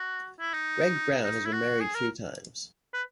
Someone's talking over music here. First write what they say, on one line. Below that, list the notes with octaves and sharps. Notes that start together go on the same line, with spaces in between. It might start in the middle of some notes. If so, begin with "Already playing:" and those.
Greg Brown has been married three times.
Already playing: F#4
E4
D#4
D#4
E4
F#4
G#4
A#4
B4